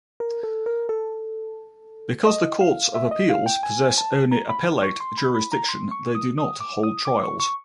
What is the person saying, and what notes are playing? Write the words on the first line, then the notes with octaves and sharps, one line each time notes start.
Because the courts of appeals possess only appellate jurisdiction, they do not hold trials.
A#4
A4
A#4
A4
D#5
F5
E5
D#5
F5
G5
G#5
A5
A#5
B5
C#6
C6
B5
B5
A#5
C6
C#6
D#6
D#6
D6
D#6
D6
C#6
C#6